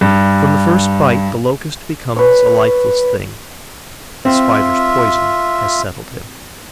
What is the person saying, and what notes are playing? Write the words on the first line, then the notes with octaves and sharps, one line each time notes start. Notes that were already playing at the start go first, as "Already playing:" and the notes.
From the first bite, the Locust becomes a lifeless thing; the Spider's poison has settled him.
G2
B4 C#5
C4 F4 E5